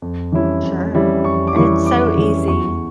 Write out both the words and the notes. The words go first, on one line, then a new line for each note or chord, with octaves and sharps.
Sure. And it's so easy,
F2
E3 G3 C#4 E4
F2
E3 G3 C#4 E4
F2 C#6
D6
E3 G3 C#4 E4 C#6
F2 D6
E3 G3 C#4 E4
E2 C#6